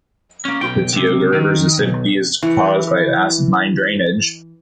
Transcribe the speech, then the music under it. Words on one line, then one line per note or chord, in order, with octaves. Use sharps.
The Tioga River's acidity is caused by acid mine drainage.
A#3 C#4
B1 G5
C#2 C3
D#3
B1
E3 C#6